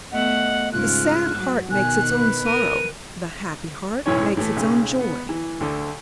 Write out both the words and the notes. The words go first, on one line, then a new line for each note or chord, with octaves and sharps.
The sad heart makes its own sorrow, the happy heart makes its own joy.
A3 B3 D#5 F#5
G#2 C#3 F4 F#6
F#3 F#5
B2 D#3 G#5 F#6
B4
A#4 D#7
B1 F#2 A2 E3 C#4 C#5
A2 E3 A3
B1 C#3
B3
E3
D2 D3